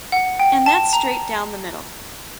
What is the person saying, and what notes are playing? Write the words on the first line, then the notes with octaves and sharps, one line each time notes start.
And that's straight down the middle.
F#5
G5
A5
A#5